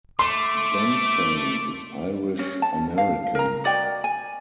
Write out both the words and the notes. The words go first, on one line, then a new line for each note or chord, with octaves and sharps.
Dempsey is Irish American.
A3 C6 D6
C#4
A5
F5
A#4 A#5
F#4 D5 D#5 G5
G#5